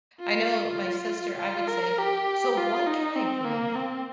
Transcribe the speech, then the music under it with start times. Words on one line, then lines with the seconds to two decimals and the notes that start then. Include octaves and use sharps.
I know my sister I would say, "So, what can I bring?
0.20 F4
1.38 F4
1.68 A#4
1.98 G4
2.57 F4
2.87 D#4
3.16 C4
3.45 A#3
3.75 C4